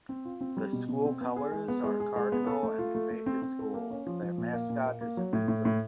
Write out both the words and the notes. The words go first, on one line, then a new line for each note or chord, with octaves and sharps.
The school colors are cardinal and Vegas gold; their mascot is a cougar.
C4
F4
C4
G3
B2
B2
C4
B3
G#4
G#3
B3
G#3
G#4
G#3
B3
A4
A3
F4
A3
A3
C4
C4
A4
A#3
C#4
F3
F3
A#2
A#3
A#2
A#3
A#3
F#3
A2
A2
A2